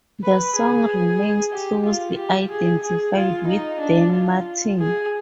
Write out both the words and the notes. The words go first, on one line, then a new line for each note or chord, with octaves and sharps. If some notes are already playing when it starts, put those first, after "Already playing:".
The song remains closely identified with Dean Martin.
B4
G#4
G4
F4
G4
G#4
G#4
F4
D#4
D4
F4
G#4